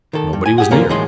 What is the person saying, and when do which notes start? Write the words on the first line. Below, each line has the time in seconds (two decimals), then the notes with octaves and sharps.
Nobody was near.
0.13 D#3 A4
0.33 G2
0.46 G#5
0.58 G4 G#4 F#5
0.71 F#2 D3 A#3 C#4 A#5
0.89 A2 E3 G#3 D#5 C6